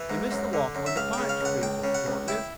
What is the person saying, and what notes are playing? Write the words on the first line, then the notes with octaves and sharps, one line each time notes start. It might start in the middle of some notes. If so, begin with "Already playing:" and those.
You miss the water when the pipes freeze up, don't you?
Already playing: E3
G#2
F#2
D3
F#2
E5
C#2 F5
C#3 G5
F5
C#2 F#5
C#2 G5
C#3
F#5
C#2
E4 G5